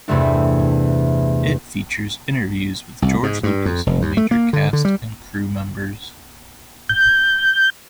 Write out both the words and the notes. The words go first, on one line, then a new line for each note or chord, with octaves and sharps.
It features interviews with George Lucas and major cast and crew members.
E2 G2 C3 A3 D4
C2
G#2
G2
F2
F1
D#2
A3
A#3
D3
D3
G3
G6